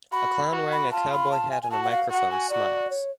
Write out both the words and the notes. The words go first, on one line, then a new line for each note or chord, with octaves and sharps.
A clown wearing a cowboy hat and a microphone smiles.
F#4 B5
F#4
B5
F4 A5
B5
A5
G#5
G#5
F#4 A5
F#5
F5
F#4 F#5
G#5
F#4 D5
C#5